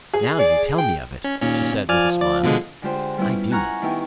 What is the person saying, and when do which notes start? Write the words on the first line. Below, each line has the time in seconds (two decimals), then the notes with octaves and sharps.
"Now you tell me of it," she said with a smile, "I do."
0.14 G#4
0.39 D5
0.78 G5
1.24 C#4
1.42 D#2 A#2 C#4
1.72 C3
1.89 F3 D5 G#5 F6
2.21 D5
2.44 B2 D3 G#3
2.82 D3 G#3 F4 G4 C5
3.18 G3 B3 C#4 E4
3.51 F#5 G#5 A#5 C#6 F6 F#6
3.82 D#3 B3 E4 G4